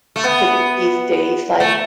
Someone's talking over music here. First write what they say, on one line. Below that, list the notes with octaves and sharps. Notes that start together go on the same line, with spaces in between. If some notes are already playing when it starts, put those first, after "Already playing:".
to d these days? Like,
A3
B3
A3